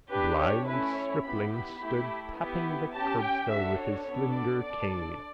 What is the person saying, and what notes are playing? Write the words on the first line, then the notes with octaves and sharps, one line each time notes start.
A blind stripling stood tapping the curbstone with his slender cane.
D4 G4 B4
C#5
A3 C#4 E4 B4
C#5
B3 E4 G4 B5
B5
A3 E4 G4
B3 E4 G4
C#4 G4 A5
G5
D4 F#4 A4 E5
C#5
B3 D4 A4 C#5
D5
D4 A4 D5